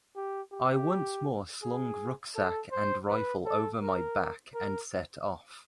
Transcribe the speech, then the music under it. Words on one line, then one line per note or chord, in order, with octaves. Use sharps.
I once more slung rucksack and rifle over my back and set off.
G4
G4
G#4
A4
C5
B4
A4
A#4
A#4